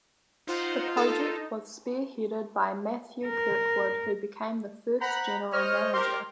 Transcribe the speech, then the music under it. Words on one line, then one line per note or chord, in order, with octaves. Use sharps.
The project was spearheaded by Matthew Kirkwood who became the first general manager.
D#4 F4 C5 F#5
D#4 A4
A#4
C5 F#5 A#5 B5
C5 C#5 D#5 F6
G4 A#4 C6